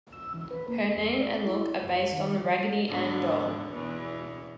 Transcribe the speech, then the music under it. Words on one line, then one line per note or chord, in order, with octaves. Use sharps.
Her name and look are based on the Raggedy Ann doll.
E6
E3
B4
A#3
F2
D5
E4
F#2
D#3
G3
G#2 D3 B3
E2 B2